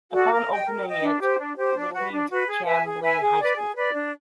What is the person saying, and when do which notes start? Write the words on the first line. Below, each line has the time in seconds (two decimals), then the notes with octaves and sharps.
Upon opening it relieved Chambly High School.
0.12 F#4 A4 D5
0.29 A#4
0.47 D#5 G5
0.66 A#4
0.83 D#5 G5
1.01 D4
1.21 G4 C5
1.39 D4
1.56 G4 C5
1.75 D4
1.93 F#4 B4
2.11 D4
2.29 F#4 B4
2.47 G#4
2.65 B4 E5 G#5
2.84 G#4
3.01 B4 E5 G#5
3.20 G#4
3.39 B4 D5
3.56 G#4
3.75 B4 D5
3.93 D4